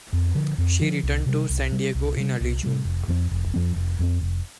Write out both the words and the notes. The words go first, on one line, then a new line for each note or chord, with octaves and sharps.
She returned to San Diego in early June.
F2
D3 F3
F2
D3 F3
C2
C3 G3
C2
C3 G3
C2
C3 G3
C2
C3 G3
F1
F2 F3 C4
F1
F2 F3 C4
F1
F2 F3 C4
F1